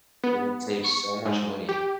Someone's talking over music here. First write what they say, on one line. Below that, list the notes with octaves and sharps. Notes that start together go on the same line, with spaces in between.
It would save so much money.
B3
C#6
G#2
G4